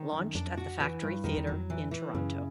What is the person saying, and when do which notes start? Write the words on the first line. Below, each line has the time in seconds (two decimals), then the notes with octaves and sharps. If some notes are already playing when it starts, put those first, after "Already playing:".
Launched at the Factory Theatre in Toronto.
Already playing: D#3
0.12 F#2
0.35 F2 D4
0.57 F#4
0.80 E3
1.02 G2
1.24 F2 D#3
1.37 E2
1.47 F#3
1.52 F2
1.70 E3
1.91 E3
2.14 F#2 C#3